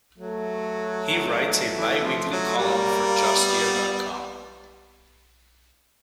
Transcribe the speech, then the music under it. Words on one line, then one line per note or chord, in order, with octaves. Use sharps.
He writes a biweekly column for justia dot com.
F#3 A3
E3
F3
F#3
G3 A#3
B3